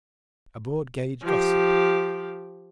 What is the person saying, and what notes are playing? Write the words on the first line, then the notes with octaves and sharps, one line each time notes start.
A broad-gauge gossip.
F3 G4